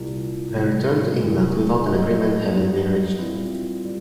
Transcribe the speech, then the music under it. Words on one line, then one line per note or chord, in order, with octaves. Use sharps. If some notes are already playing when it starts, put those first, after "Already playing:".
They returned to England without an agreement having been reached.
Already playing: C2 A#2 G3
C3 E3 G3
C3 E3 G3
F#3 B3 D#4
F#3 B3 D#4
A#2 G3 C4 E4
A#2 G3